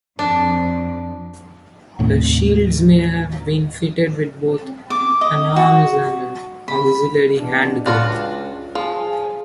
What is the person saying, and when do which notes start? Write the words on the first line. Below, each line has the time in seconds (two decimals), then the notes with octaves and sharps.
The shields may have been fitted with both enarmes and an auxiliary hand grip.
0.19 F2 D4
1.99 D#2 A2 C3
4.90 D6
5.21 D#5
5.56 F#4
6.68 B5
7.38 E2 B2 D4
7.86 C#2 D4 F4 F#4
8.75 F3 G#4